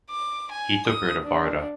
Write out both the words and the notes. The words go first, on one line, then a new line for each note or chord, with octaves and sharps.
He took her to Barda.
D6
G#5
D#6
D4